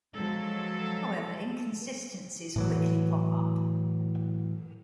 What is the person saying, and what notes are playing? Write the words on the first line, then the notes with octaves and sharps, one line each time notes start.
However, inconsistencies quickly pop up.
F3 F#3 G#3 A4
A2 E3 F#3